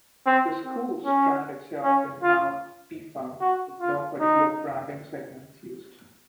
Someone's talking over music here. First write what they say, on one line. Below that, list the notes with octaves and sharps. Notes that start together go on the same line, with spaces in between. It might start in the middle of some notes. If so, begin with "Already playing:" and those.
The schools strand itself is now defunct, with no particular branding segment used.
C4
C4
C#4
C#4
F4
F#4
F4
D#4